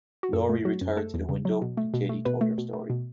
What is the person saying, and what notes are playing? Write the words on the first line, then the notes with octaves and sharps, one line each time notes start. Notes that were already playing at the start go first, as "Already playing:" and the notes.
Laurie retired to the window, and Katie told her story.
F#4
F#2 A4
A3
F#3 F#4
F#2
A3 A4
E2
C#3
F#3
B2
A3
B2
A3
B2 B4
A3
B2
A3
B2